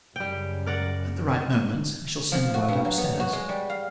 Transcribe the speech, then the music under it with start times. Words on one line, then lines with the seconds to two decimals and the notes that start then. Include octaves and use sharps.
At the right moment, I shall send word upstairs.
0.16 F#2 C#3 G3 G5
0.66 A#4 D5 F#5
2.32 F3
2.54 F#4
2.68 G2
2.85 F#3
2.98 B3
3.20 F#4
3.33 G#3
3.49 G3
3.70 F5